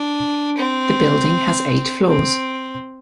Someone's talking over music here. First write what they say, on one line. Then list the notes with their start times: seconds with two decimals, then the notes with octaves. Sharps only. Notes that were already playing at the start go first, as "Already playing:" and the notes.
The building has eight floors.
Already playing: D4
0.56 C4
2.08 C4